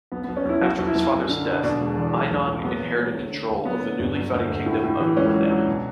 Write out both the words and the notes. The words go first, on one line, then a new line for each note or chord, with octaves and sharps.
After his father's death, Einion inherited control over the newly founded kingdom of Gwynedd.
B1 B3
B3
B1
C#4
B1 E4
B1 F#4
B1
E4
B1
F#2
D3
D3
B2 D4
E1
E2
B1
B1
A2
F#3 B3
E2
F#3
D2
D3
D2
F#3 B3
D3
G1
F#3
D2
D2
A2
A2
E3
C#2 C#4
F#3
D4
F#3
B2